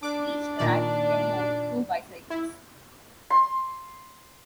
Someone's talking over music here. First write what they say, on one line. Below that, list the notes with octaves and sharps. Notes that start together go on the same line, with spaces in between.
Each rack can hold two bicycles.
D4 D6
A#2 D#3 D5
E4
C6